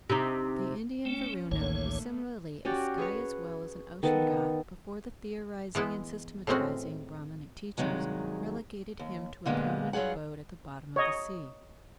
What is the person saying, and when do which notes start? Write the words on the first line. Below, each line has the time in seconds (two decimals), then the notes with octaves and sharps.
The Indian Varuna was similarly a sky as well as an ocean god before the theorizing and systematizing Brahmanic teachers relegated him to a permanent abode at the bottom of the sea.
0.10 C3 D#4
1.05 A3 C#4 G5
1.51 A1 D2 D#3 A3 A#3 C#5
2.65 C#4 F#4 G4 D5
2.98 G#4 B4 C#5
4.03 D#3 B3 A4
5.75 E3 G#3 B3 E4
6.47 A2 E3 G#3 C4 C#4 F#4
7.78 G2 C3 D#3 F#3 G#3
8.99 D#2
9.46 A#2 D3 G3 G#3 A#3 B3
9.93 G2 F#3 F4 G#4 F#5
10.96 C#5 D#5